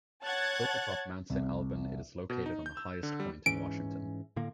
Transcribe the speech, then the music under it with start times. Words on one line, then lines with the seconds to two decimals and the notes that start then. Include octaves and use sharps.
Built atop Mount Saint Alban, it is located on the highest point in Washington.
0.24 C#5 F#5 A5 F#6 G#6 A6
1.30 C2
2.30 B2
2.46 D#4
2.66 G6
2.77 E6
3.03 D3
3.20 G3
3.46 G#2 E3 C#4 D7
4.36 A2 D3 A#3